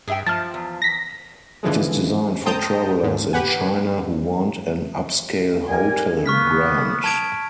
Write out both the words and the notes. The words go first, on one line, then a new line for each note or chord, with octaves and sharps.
It is designed for travellers in China who want an upscale hotel brand.
G2 G#4 E5 G5
F3 A5 F6 A6
E2
A#6 B6
D3 E3 F3 G#3
C5 G5 A5 A#5 D#6 G6
G#2
G4 B4 F#5 G#5
G3 A#4 G#5
A#3 B3 C#6 F6 B6
A5 G#6 D7